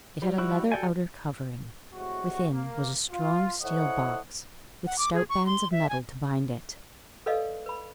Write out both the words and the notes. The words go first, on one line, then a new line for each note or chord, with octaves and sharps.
It had a leather outer covering; within was a strong steel box, with stout bands of metal to bind it.
F#3 G3
E4 F#4
A4 G5 G#5
A2 C3 G#3 F#4
A#3
F4
E4 A4 C5 C#5 D#5 F#5
F#5
D6
G#4
C#6
C6
E5
G#5
A4 B4 D5 D#5 F5
B4 B5